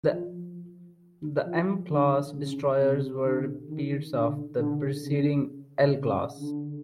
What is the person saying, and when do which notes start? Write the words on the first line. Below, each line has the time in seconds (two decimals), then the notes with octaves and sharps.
The M-class destroyers were repeats of the preceding L class.
0.11 F3
1.45 F3
1.90 D3
2.35 C#3
2.80 C3
3.25 D3
3.69 D#3
4.14 D3
4.59 D3
5.04 C#3
5.93 C#3
6.39 D3